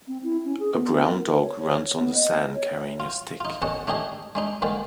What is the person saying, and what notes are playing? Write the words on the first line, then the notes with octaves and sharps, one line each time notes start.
A brown dog runs on the sand carrying a stick.
C4
E4
C#4
G#4
B3
A#4
C#5
C#5
B3
D#5
C#5
F4
D#4 F4
D#2 D3 C#4 D#5 F#5 A5
A3 D4 D#4 G4 G#4 D#5
G#3 D4 D#4
D3 D#3 G#3 A#3